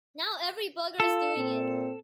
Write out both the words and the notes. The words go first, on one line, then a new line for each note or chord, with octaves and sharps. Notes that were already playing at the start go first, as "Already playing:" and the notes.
Now every bugger's doing it.
F4 A4
A#2 C4